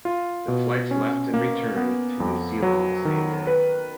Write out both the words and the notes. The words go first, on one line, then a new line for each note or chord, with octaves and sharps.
The flights left and returned to New Zealand the same day.
F4
B2
C#4
A#3
B3
F2
F#3
D#3
B4